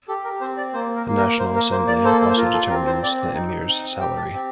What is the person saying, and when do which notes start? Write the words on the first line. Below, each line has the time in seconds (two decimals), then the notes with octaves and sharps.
The National Assembly also determines the Emir's salary.
0.08 G4 A4
0.24 A#4
0.41 C4 C5
0.57 D5
0.73 A#3 C5
0.96 A#4
1.06 A#3
1.17 A#4
1.39 A#3 C5
1.55 A#4
1.71 A#3 C5
1.88 D5
2.05 A4 C5
2.21 A4
2.29 C5
2.37 F4 A#4
2.53 A4
2.70 C4 A#4
2.86 C5
3.03 C4 D5
3.35 D#4
3.68 C4
4.00 G4 G5
4.17 A5
4.33 C4